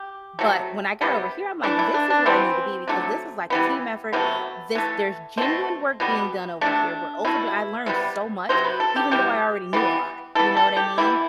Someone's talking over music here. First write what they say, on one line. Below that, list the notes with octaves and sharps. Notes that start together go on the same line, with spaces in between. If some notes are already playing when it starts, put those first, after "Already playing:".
But, when I got over here, I'm like, "This is where I need to be because this is like a team effort. This there's genuine work being done over here. We're overdue." I learned so much, even though I already knew a lot. You know what I mean?
Already playing: G4
C3 F#3 A3
C3 G3 B3
E3 A3 D4
E4
D4
D4
E3 B3 C4
D3 F#3 A3
E3 G3 B3
C3 F#3 A3 B3
E3 A3
B2 A3 C4
B2 G3 B3
C3 F#3 A3 D4
B2 A3 E4
C3 E3 G3 B3
C3 F#3 C5
B4
A4
G4
C3 E3 G3 G4
E3 G3 B3
E3 B3 A4
A4
G4
E3 G3 B3 E4